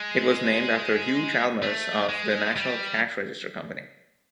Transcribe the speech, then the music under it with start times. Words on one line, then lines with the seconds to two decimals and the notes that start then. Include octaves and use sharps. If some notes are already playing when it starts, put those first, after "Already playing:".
It was named after Hugh Chalmers of the National Cash Register Company.
Already playing: G#3
1.62 A3
2.09 G#3
2.56 G3